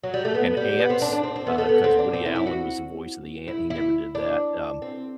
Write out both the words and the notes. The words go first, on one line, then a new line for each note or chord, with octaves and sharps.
and Ants, uh, 'cause Woody Allen was the voice of the ant, he never did that, um,
F#3
G3
A3
B3
G3
B3
C4
D4
D4
C4
C4
B3
A3
B3
C4
D4
C4
E4
E4
F#4
E4
E4
D4
C4